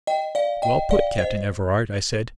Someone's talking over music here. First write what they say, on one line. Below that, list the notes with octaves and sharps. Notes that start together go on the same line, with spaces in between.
"Well put, Captain Everard," I said.
D#5 G5
D5 F5
D#5 G5
D5 F5
C5 D#5